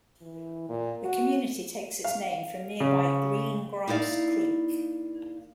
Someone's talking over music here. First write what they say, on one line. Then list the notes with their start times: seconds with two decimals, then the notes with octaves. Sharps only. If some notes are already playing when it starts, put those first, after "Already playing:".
The community takes its name from nearby Green Grass Creek.
0.21 E3
0.69 A#2
1.05 F#4
2.04 F5
2.80 C#3
3.87 A#3 D#4 E4 D5 F5